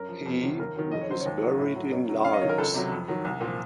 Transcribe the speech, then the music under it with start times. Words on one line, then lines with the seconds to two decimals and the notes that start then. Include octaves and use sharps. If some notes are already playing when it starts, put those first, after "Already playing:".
He was buried in Largs.
Already playing: F#2 A#4
0.09 F3
0.25 F2
0.42 C3 D#3 F#3
0.59 D#2 A#4
0.76 D#3 F#3
0.91 F2 D#5
1.01 C#5
1.09 C#3 F#3 C5
1.20 C#5
1.26 D#2
1.42 D#3 F#3
1.59 A2
1.76 F#3
1.91 F#2
2.09 C#3 F#3
2.24 F#2 F5
2.33 D#5
2.41 D#3 F#3 C#5
2.49 A#4
2.58 C#2 A4
2.74 C3 F#3
2.92 F2
3.08 D#3 F#3
3.25 C2
3.41 A#2 F3